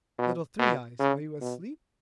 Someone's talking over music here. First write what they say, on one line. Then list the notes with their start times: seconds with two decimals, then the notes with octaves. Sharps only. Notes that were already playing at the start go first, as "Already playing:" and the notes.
'Little Three-eyes, are you asleep?'
0.18 B2
0.59 B2
1.00 C#3
1.41 B2